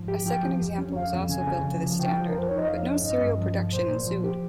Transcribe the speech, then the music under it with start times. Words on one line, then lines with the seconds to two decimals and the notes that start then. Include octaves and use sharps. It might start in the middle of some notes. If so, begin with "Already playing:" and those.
A second example was also built to this standard, but no serial production ensued.
Already playing: G#2 F3
0.08 G4
0.26 F3 G5
0.43 F3
0.61 F2
0.78 C#4
0.95 F2 F5
1.13 F2
1.29 C#3 G#5
1.47 C#3
1.64 F3
1.82 F3
1.99 F3 G5
2.16 F3
2.28 A#4
2.33 F2
2.39 C5
2.49 D#4 C#5
2.58 D#5
2.69 F2 F5
2.85 C#4
3.02 G2 D#5
3.20 G2
3.37 F3
3.54 F3
3.71 A#2 C5
3.89 A#2
4.06 F3
4.24 G4